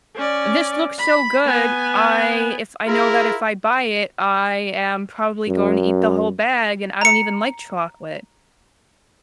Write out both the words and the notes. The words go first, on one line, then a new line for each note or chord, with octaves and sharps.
this looks so good, I if I know that if I buy it I am probably going to eat the whole bag, and I don't even like chocolate.
C#4 D5
B5
B3 G#5
E4 F4 G#4 A#4
F#2
A#5 C#7